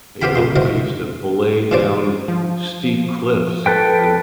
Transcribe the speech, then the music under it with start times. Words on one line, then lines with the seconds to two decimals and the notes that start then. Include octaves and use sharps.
You know? I used to belay down steep cliffs. And
0.21 B3 C4 G4 F5 G5 B5
0.35 C#2 A#2 C6
0.56 E3 D#4 F#4 A#4 C5
1.71 G2 A#2 C4 C5 D5
2.28 F3
3.66 A4 B4 G5